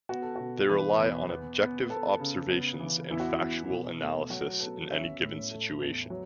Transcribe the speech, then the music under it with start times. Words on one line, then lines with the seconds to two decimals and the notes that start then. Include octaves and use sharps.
They rely on objective observations and factual analysis in any given situation.
0.09 B3 F#4
0.22 A4
0.36 B2 F#4
0.69 E3 B4
0.99 E2
1.29 B3
1.60 B3
1.90 B3 A4
2.20 C#3
2.50 B3
2.80 E3
3.11 E2 E4
3.20 F#4
3.29 E4
3.40 E2
3.70 B2
4.00 A3
4.30 F#3 F#4
4.60 B3 A4
4.91 C#4 E5
5.21 A2
5.51 A3
5.81 E2
6.10 F#3